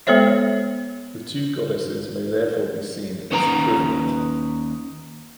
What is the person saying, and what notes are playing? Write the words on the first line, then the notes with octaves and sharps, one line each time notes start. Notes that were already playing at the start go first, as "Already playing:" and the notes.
The two goddesses may therefore be seen as equivalent.
G#3 B3 A4 C5 C#5 E5
D#2 C#4 D#4 B4 G#5 A#5